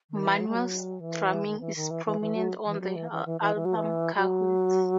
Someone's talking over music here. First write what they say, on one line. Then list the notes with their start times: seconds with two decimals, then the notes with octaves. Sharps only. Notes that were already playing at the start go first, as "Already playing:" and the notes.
Manuel's drumming is prominent on the album "Cahoots".
0.10 D#3
0.25 E3
0.41 F#3
0.48 G#3
0.55 F#3
1.00 E3
1.45 D#3
1.60 E3
1.76 D#3
1.91 E3
2.06 E3
2.21 E3
2.35 F#3
2.66 E3
2.81 F#3
2.96 E3
3.11 E3
3.25 E3
3.41 E3
3.55 E3
3.65 F#3
3.75 E3
4.16 F#3